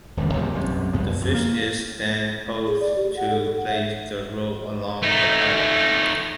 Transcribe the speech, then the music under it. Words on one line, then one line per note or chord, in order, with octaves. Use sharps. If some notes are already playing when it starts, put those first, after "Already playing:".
The fish is then pulled to place the rope along the pipe.
D#1 G#1 C#2 E3
A#1 C3 G3
B1 F#2 C3
C2 F#2 B3
F2
A#3
G#4
D5
G4
F#5
A4
A4
F#5
E5
A3 D#4